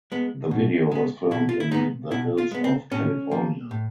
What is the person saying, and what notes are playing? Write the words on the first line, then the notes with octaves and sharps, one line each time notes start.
The video was filmed in "the hills of California".
G#3 B3
B2
G#3 B3
B2 E4
F4
E4
G#3 B3 D#4
B2 E4
F4
G#3 B3
C4
A2 C#4
F3 A#3
A2